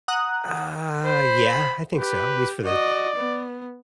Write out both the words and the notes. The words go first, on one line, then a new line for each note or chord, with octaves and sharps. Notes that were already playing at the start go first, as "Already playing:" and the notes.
Uh, yeah, I think so, at least for the
F#5 A#5 D#6 F#6
C5 B5
G4 B4
F#4 D5 D#5
B3